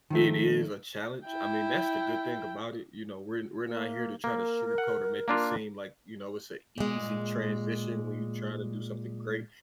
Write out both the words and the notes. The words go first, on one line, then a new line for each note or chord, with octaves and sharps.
it is a challenge, I mean, that's the good thing about it, you know, we're we're not here to try to sugarcoat or make it seem like, you know, it's a easy transition when you try to do something great,
D#3 F3 A3
E4 G5
A#3
A#3 A#4
F#5
A#3 D4 F4
A#2 G#3